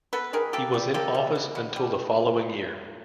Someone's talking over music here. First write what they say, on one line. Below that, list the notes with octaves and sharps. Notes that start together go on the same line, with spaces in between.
He was in office until the following year.
B3 A4 B4
D#3 G#4 A#4
A#3 G4 A4
G3
A#3 G4 A4
G3
B2
B2
G3